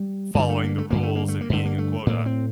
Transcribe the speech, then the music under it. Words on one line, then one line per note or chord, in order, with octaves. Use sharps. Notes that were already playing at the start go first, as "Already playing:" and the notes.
following the rules and meeting a quota.
Already playing: G3
G2 D3 G3
A3
A#3
A3
G2 D3 A#3
A3
A#3
A3
A#3
G2 D3 A3
A#3
A3
A2 A#3
C4